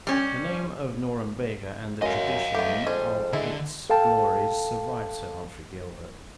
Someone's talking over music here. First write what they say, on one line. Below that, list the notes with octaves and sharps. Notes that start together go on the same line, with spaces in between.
The name of Norumbega and the tradition of its glories survived Sir Humphrey Gilbert.
G3 C#4
F#2 G#3 D#5 F5
A3 B3 G4
F2 G3 G#3 G#4
D3 G#3 E4
A4 F5 G5 A5